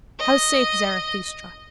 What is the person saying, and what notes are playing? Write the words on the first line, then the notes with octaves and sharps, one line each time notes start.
How saith Zarathustra?
D#5